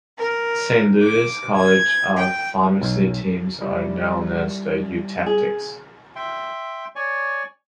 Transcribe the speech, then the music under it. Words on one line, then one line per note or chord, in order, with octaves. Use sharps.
Saint Louis College of Pharmacy teams are known as the Eutectics.
A#4
D6
G#6
G5
B1
G3 E4
G#4
E5 G5 C6
C#5 D5 G#5 C#6